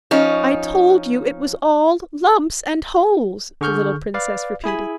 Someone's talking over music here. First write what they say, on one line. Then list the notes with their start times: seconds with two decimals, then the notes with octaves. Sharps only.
"I told you it was all lumps and holes!" the little princess repeated.
0.11 F3 C#4 D#4
3.61 D3 G#4 C#6 F6 G6
4.14 B4 D5 F5
4.64 E4 G#4 G#5 B5